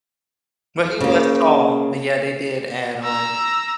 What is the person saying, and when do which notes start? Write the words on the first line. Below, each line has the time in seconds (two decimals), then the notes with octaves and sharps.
but he was tall, but, yeah, they did add on
1.01 C#3 A#3
3.04 A#5 E6